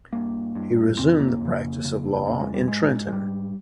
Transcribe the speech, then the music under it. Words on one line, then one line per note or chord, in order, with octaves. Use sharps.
He resumed the practice of law in Trenton.
G2 A#3
G2
F2 C#3 C4
C4
A#3
F2 C#3
F2 C#3
F2 C#3 A#3
G#3
G3
G#2 G#3
G#3
G#2 G3